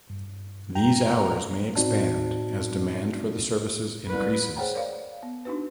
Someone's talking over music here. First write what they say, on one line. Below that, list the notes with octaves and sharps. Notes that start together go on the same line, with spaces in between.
These hours may expand as demand for the services increases.
G2
F#2 G5 A#5
A2 C4 D#4 F#4 D5 A5
C2 B4
G#4 C5 C#5 F#5 G5 A#5
A#4 C#5 D5 F5
B3
D4 D#4 F#4 B4